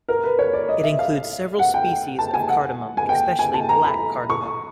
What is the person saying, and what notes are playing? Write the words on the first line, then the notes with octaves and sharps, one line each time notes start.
It includes several species of cardamom, especially black cardamom.
A#4
B4
C#5
D5
D#5
E5
F5
F#5
G5
A5
G#5
F#5
G#5
G5
G#5
A5
A#5
B5
C#6